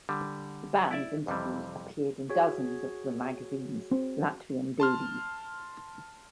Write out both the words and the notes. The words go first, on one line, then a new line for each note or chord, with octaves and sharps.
The bands interviews appeared in dozens of the magazines, Latvian dailies.
D3 G3
E4 D5 E5
F2 C3 E3 G3
F#4 G#4 C#5
C4
A5 C6 F6